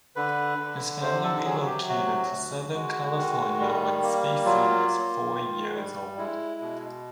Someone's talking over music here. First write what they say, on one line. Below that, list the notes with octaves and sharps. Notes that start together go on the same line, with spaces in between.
His family relocated to Southern California when Spacey was four years old.
D3 B4
D3
C3 C5
A4
F#3 G#4
G4
C3 F#4
D2
G#3
D#3
G3
A#3
F#3 F4
A#3
D#3
G3
G#3 E4
B2